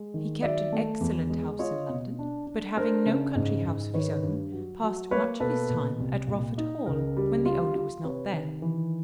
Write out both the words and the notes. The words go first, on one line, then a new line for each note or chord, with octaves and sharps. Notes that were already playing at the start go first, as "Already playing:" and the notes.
He kept an excellent house in London, but having no country house of his own passed much of his time at Rufford Hall when the owner was not there.
Already playing: G#3
D#3
F#3 D5 E5
A3
E2
G#3
F4 C#5 D#5
B2
D4
D4
D4 A#4 C5
C#3
G#2
G#2
D#3 B4 C#5
G2
F#3
F#3
A#3 B4 C#5
B2 A4 B4
A#2
C2
A#2
D#4
C#2 A#4
G3
F4
F4
C3 B4 C#5
D#3
E3